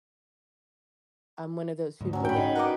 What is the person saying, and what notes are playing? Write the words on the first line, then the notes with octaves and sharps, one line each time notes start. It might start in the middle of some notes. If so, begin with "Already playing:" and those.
I'm one of those people that
D2 G#2
F#3 C#4
A2 G5 B5
D#4
F#4 A#4 B4 D#5 F#5 D6